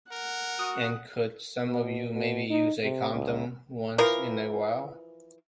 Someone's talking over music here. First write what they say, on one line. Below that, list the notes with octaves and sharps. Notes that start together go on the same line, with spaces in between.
And could some of you maybe use a condom once in a while?
A#4 F#5
F#4 D#6
B2
B2
D#4
C3
C#2
E3 F3 A#4 F5